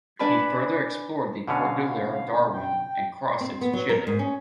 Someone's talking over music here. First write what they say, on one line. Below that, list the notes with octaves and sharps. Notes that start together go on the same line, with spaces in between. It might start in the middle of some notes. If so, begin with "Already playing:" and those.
He further explored the Cordillera Darwin and crossed into Chile.
D4 B4 D5 G#5 A5 B5
B2 D3 C#4 F5
G5
C4
B3
F#3
A#4
G#2
C#4